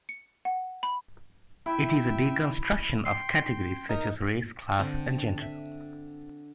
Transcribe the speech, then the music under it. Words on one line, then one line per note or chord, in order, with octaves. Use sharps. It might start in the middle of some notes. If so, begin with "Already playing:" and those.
It is a deconstruction of categories such as race, class, and gender.
C#7
F#5
B5
E4 E5 G5 B5
G5 C6 C7
D#4 A#4 D#6
D3 C4 G5
E5